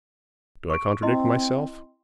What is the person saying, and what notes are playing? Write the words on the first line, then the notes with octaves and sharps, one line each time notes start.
Do I contradict myself?
C#6 D7
C4 E4 D#5 C6